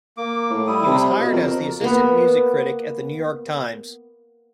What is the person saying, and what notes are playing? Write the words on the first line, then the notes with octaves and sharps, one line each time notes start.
He was hired as the assistant music critic at "The New York Times".
A#3 D6
A2
G3 E4 D#6
C3
B2
F2 A#4
A#3 B3